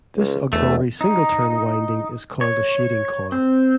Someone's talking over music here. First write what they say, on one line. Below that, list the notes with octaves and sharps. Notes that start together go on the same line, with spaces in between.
This auxiliary single-turn winding is called a shading coil.
C#2
E1 E2 A3
D#4
C#5
C4